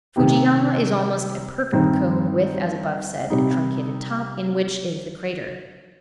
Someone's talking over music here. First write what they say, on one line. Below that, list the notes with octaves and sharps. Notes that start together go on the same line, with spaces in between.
Fujiyama is almost a perfect cone, with, as above said, a truncated top, in which is the crater.
C3 D#3 C4 D#4 G4
G2 D#3 C4 D#4 C5
C3 G3 D#4